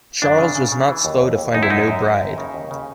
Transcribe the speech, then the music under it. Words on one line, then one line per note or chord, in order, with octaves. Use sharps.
Charles was not slow to find a new bride.
F#2 D4
C#3
C#3
C#3
E3
D#2
D#2
D#2
F#2 D#4
E4
F#2 D#4
F#2
F#2
D#2
C#3
D#2
C#3